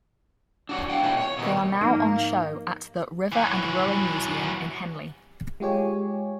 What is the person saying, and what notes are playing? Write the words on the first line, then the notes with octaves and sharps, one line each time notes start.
They are now on show at the River and Rowing Museum in Henley.
D4 F#4 C#5
E2 F5 G5
B2 F#4 C#5 E5 G5 G#5
C#5
B2 D#3 G#3 B3 D#4 G4
G#2 F3 A#3 D#4
E3 F#3
G#3 F4 G4 C#5 G#5